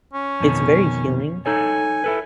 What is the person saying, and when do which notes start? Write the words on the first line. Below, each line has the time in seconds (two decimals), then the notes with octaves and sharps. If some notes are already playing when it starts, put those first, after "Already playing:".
it's very healing,
0.14 C#4
0.40 F2 B2 D#3
1.46 D#4 A4 C#5 G#5
2.04 E4 A4 B4